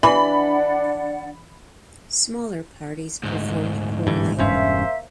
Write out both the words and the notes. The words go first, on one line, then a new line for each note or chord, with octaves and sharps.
Smaller parties performed poorly.
E3 D4 D5 F#5 B5
D2 G#2
G2 E3
E1 G2 A#3 C#4 C5 E5